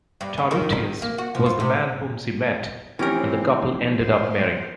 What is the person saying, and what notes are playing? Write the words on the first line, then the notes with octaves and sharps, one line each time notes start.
Tarutius was the man whom she met and the couple ended up marrying.
G2
C#4
D#3
D#3
A#3
F#4
F3
F4
C3
F1 E3 C4 C#4 G4 A#4 C#5
C5